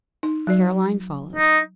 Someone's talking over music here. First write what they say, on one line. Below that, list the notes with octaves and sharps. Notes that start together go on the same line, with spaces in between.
Caroline followed.
D#4
F#3 F#4 D5
D#4